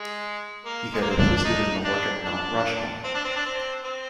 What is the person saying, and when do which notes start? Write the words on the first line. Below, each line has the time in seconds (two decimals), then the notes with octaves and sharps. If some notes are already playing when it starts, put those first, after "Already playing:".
He had assisted in the work at Mount Rushmore.
Already playing: G#3
0.65 A#3
0.94 G#3
1.01 A#3
1.10 C4
1.19 D4
1.37 D4
1.45 D#4
1.84 D4
2.25 D4
3.04 C4
3.14 D4
3.25 C4
3.36 D4
3.46 C4
3.84 C4